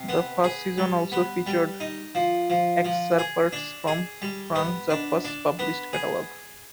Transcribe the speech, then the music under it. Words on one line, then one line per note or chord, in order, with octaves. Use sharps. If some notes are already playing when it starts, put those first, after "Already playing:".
The first season also featured excerpts from Frank Zappa's published catalog.
Already playing: C3
B3
G#4
G3
B3
G3
D#4
F3
F3
F3
G#4
D4
G#4
G3
B3
D4
D4
B3
G#4